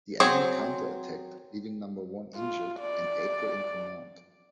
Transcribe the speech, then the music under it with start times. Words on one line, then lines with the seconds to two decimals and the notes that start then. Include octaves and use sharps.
The enemy counter-attacked, leaving Number One injured and April in command.
0.20 F#3 C4 G#4 C5
2.36 F4
2.80 D5